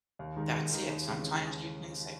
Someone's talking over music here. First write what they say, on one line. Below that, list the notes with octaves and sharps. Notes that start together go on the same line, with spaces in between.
That's it, sometimes you can say
D#2
D#3 G#3 D#4
D#2
D#3 G#3 D#4
D#2
C#3 E3 G#3